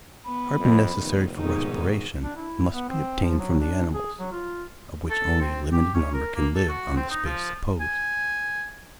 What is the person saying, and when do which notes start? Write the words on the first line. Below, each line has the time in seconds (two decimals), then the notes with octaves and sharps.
The carbon necessary for respiration must be obtained from the animals, of which only a limited number can live on the space supposed.
0.25 B3 B5
0.60 F2
0.95 F1 D#3 B3
1.36 G#2 B2 D#3 D#4
2.24 D4
2.36 E4
2.73 B3
2.89 C4
3.22 F3
3.39 F#3
3.60 D4
3.95 G#4
4.20 F#3
4.32 F4
5.10 A4
5.41 C4
5.72 G4
5.95 C#4
6.14 A#4
6.36 A#3
6.55 A4
6.69 F#4
6.97 C4
7.10 D#4
7.26 F3
7.80 G#5